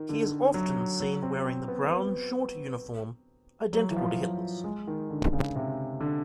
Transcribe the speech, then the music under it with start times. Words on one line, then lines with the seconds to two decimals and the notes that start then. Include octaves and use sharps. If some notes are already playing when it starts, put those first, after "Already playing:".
He is often seen wearing the brown short uniform identical to Hitler's.
Already playing: D#3
0.09 D3
0.54 F#3
1.00 F#3
1.23 C4
1.45 C4
1.68 B3
1.91 B3
3.73 F#3
3.91 E3
3.96 F3
4.18 F#3
4.64 G#3
4.87 D#3
5.10 D3
5.33 C#3
5.56 C3
6.01 D3